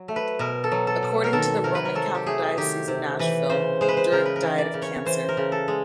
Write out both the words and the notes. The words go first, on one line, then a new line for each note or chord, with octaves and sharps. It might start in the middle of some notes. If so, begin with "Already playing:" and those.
According to the Roman Catholic Diocese of Nashville, Durick died of cancer.
Already playing: F#3
A3
B4
B2 A#4
A4
F#3
A4
B2
A#4
D#3 A4
C3 A#4
B4
A#4
F#3 A4
G4
A3 G#4
D#3 G4
C3
E3 B4
C#3 C5
G#3 C5
B4
C5
C#3 A#4
B4
A#4
E3
D5
C#3
C#5
E3 C5
A#4
C#3
A4
G#3